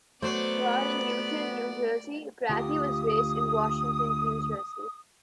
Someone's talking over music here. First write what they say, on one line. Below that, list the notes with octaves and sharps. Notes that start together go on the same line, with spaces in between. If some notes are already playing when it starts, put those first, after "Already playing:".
Born in Newton, New Jersey, Bradley was raised in Washington, New Jersey.
F#3 A3 B3 C5 D5
D2 F4 G4 D#6